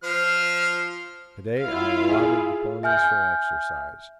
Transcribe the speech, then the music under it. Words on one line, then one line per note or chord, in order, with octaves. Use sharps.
To-day I allotted the ponies for exercise.
F3 C5 F6
E4 F4 F5
G#4
E5 G#5 F6 G6